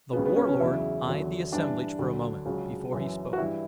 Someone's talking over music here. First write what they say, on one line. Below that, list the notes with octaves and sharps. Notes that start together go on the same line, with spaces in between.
The Warlord eyed the assemblage for a moment before he spoke.
C#2 C#3 F#3 B3
B3
C#4
C#4
E2 C#3 F#3 E4
E2 D3 F#3
G2 E3 D4
D2 D3 F#3
C#2 C#3 F#3
F#2 E3
F#4
G2 E3 E4